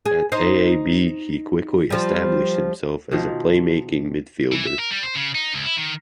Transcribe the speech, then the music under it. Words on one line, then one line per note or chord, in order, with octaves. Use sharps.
At AaB, he quickly established himself as a playmaking midfielder.
G#4
D#4 C5
F3 G3
B2 D#3 F3
E3
E5
A#4
G3
C5
C#3
D#4
C#2
E4
D#3